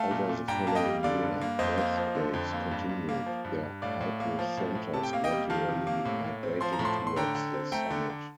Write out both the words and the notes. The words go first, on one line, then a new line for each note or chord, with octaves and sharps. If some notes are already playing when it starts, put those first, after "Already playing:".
Over the following year, earthquakes continued, their hypocentres gradually migrating towards the summit.
Already playing: A3 F5 A5
A#2
A#2
G2 G5 A#5
A#3 A5
D#5 G5
G3
D3 D5 F5
G2
A#3
F2 C5 D#5
A#3
F3
D3
F2
A#3
G2
G2
A#3
F3
G2
G2
A2 D5 F5
A2
A#3
F3
A2
A2
C3 A5
G5
A#3 F5
D#5 G5
G3
D#3 F5 A5
C3
A#3
A2
A2
C4
F3 C6
A#5
A2
A5 C6
A2
C6
D3 G5 A#5
D3
C4
A3 G5 A#5
D3
D3